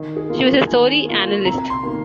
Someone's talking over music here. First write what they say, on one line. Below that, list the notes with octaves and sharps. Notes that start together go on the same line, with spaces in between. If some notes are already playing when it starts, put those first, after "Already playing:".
She was a story analyst.
Already playing: D#3 D#5
G#4
A#3 F4
D#3 G#5
A#3 F4
C3 A#5
C6
D#3 A#3